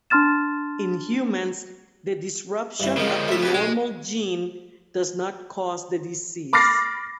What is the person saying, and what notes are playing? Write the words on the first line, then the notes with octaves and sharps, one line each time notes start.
In humans the disruption of the normal gene does not cause the disease.
D4 A5 C6 F6 A6 E7
G2 E3
C#3 F3 G#3 A#3
A3 E5
F2 G4 B4
B1 G#3 D6
B5 D6 F6 A6 A#6 C7